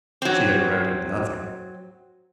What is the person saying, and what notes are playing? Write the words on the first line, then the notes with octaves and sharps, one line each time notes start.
She had erected nothing.
F#3 C4